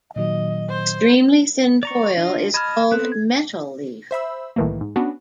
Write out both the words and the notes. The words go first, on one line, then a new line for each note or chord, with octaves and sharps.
Extremely thin foil is called metal leaf.
A#2 D#3 F#3 D#5
C5
D5 A#5 C#6
D4 F4 D#5
D#5 A5 B5 F6 G#6
B3 C4 A4 F#6
G#6
C5 E5 B5 E6
C2 A2 D#3 E3 A3 A#3
G#2
B3 C#4 D4 F#4